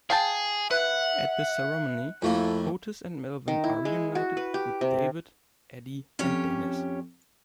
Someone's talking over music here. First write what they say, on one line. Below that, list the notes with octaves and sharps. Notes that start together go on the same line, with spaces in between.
At the ceremony, Otis and Melvin are reunited with David, Eddie, and Dennis.
G#4 F5 G5 A5
B4 E5 F#5
F2 A3 A#3 E4
D#3
E4
G#3
F#4
B4
G4
C3
F2 C#4 G4 C#5